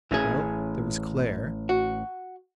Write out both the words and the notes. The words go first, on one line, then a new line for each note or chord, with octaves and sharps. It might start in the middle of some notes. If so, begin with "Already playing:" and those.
Well, there was Clare.
A1 E3 C#4 G#4
F#4